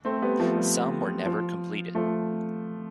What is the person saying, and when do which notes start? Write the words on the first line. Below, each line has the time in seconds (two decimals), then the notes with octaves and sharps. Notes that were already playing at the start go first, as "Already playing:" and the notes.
Some were never completed.
0.05 A3 C4
0.22 G3 B3
0.40 F3 A3
0.56 G3
1.26 F3
1.95 F3 A3